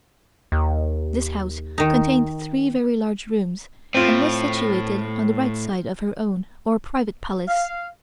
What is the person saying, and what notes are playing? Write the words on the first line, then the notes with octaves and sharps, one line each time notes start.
This house contained three very large rooms and was situated on the right side of her own or private Palace.
D#2
D#3 D#4
A2 C4 F4
F5